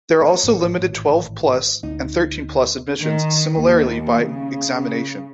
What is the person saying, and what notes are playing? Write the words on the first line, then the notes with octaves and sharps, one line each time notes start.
There are also limited twelve plus and thirteen plus admissions, similarly by examination.
C#5
G#1 A2 E3
D2 D#4
D#3
D#2
C#3